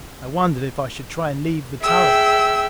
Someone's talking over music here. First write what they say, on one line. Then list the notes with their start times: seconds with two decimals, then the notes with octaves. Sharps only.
I wondered if I should try and leave the turret.
1.83 G#4 E5 G5 E6